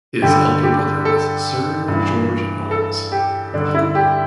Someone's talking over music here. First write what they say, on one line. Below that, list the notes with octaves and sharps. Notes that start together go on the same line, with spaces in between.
His elder brother was Sir George Knowles.
G2 D3 G4
G4
A4
G2 E3
A4
G4
G2 D3 D4
E4
G4